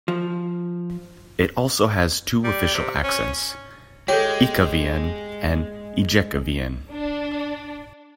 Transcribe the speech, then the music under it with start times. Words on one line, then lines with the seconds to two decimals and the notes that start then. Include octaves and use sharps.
It also has two official accents: Ekavian and Ijekavian.
0.08 F3
2.44 G3
2.74 C3
3.03 C#4
4.08 G#3 G4 A4 C#5
6.91 D4